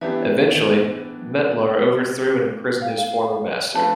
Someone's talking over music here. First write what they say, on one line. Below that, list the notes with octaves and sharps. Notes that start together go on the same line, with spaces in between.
Eventually, Metlar overthrew and imprisoned his former master.
E3 B3 D4 G4 E5
F5
G5
F5
F3 A3 D4 F4 B4 A5